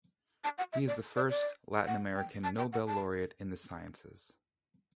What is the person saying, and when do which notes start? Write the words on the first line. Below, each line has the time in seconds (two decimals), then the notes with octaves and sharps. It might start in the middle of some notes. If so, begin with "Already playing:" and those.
He is the first Latin American Nobel laureate in the sciences.
0.44 A5
0.58 F#5
0.73 E5
0.87 D5
1.16 D5
1.29 D5
1.87 F#5
2.16 G5
2.44 A5
2.58 G5
2.73 F#5
2.87 A5